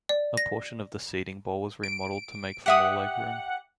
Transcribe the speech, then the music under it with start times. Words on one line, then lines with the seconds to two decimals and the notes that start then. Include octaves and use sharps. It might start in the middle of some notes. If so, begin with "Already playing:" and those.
A portion of the seating bowl was remodeled to make for more legroom.
0.09 D5
0.37 A#6
1.83 D7
2.66 G4 E5 F#5 D#6